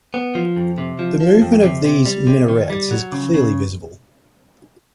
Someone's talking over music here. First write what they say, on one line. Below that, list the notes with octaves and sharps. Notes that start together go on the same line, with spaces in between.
The movement of these minarets is clearly visible.
B3
F3
F2
C3
F3
F3
F2
C3
C3
G3
C3
D#3
G3
F#3
C#3
C#3